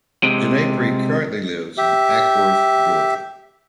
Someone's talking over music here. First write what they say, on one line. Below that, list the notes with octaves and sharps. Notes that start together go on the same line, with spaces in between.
Ginepri currently lives in Acworth, Georgia.
C3 G#3
G4 E5